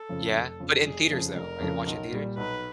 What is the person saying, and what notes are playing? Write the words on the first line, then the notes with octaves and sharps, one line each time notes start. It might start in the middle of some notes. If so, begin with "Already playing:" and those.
Yeah. But in theaters, though, are you gonna watch in theaters?
Already playing: A4
F2 C#3 F3
F1
F2 C#3 F3
F1 G#4
F2 C#3 F3
F1 A#4
F2 C#3 F3
B1
A#2 G3
B1 B4